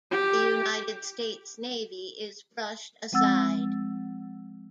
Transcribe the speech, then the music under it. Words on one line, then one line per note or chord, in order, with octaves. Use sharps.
The United States Navy is brushed aside.
G4
F3 G#3 C4 F#5 E6 A6